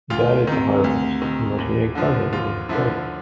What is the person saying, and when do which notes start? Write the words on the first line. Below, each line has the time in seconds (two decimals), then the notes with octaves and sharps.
He died at the harvest and was reincarnated in the spring.
0.10 D2 F4
0.47 C3 D#3
0.84 D2
1.22 C3 D#3
1.58 D#2
1.95 D3 F3
2.32 D#2 F4
2.69 D3 F3 E4